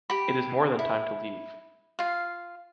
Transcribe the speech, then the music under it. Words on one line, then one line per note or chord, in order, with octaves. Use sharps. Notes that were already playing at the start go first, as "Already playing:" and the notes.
It is more than time to leave.
G4 G5 B5
E4
F4 F5